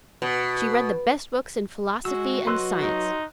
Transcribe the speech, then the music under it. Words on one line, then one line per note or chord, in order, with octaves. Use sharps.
She read the best books in philosophy and science.
B2
G#3 F#4 E6
F#3 B4 D#5 C6 E6 F#6
D#4